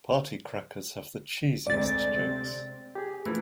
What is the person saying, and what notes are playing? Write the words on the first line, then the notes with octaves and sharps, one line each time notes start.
Party Crackers have the cheesiest jokes.
D2 G#3 C4 D5 A6
C3 C4
G4 G#4
E3 F3 A3 A#3